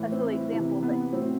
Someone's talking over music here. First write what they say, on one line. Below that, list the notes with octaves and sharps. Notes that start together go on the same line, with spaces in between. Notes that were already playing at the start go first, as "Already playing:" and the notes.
a silly example, but
Already playing: A2 E3
C4
E4
C3 E3 E4
B3
A2 F#3 C4